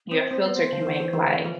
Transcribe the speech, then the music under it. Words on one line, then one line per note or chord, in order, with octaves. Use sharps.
your filter can make, like,
C4 C5
C4 C5
B3
C5
D3
E3
E3
E3
D3
E3
F3